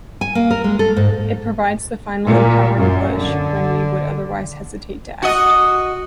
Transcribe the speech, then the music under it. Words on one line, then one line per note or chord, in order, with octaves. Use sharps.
It provides the final empowering push when we would otherwise hesitate to act.
G#5
A#3
A#4
G#3
A4
G#2
A#2
F#2
D3
F#4 D#5